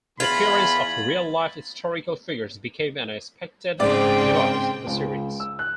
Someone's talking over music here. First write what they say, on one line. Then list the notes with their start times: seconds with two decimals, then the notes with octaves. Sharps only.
The appearance of real-life historical figures became an expected device in the series.
0.20 E2 F4 B5 G#6 A6 F#7
3.80 G#2 C#3 C4 D5 G5
4.87 C#2
5.40 E6
5.59 F#6